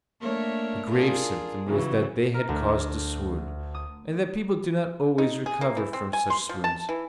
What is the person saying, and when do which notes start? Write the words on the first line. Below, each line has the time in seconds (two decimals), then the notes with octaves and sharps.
A grave symptom was that they had caused a swoon, and that people do not always recover from such swoons.
0.20 A3 A#3 D4 A#4 C#5 E5
0.90 D4 F4 G#4 A#4
1.66 C#3 E3 F#3
2.34 A#4
2.49 D2
3.75 D#6
5.18 D#4
5.46 G#4
5.61 A#3
5.77 E3
5.93 C4
6.13 G#5
6.30 C6
6.49 F3
6.64 A5
6.89 E3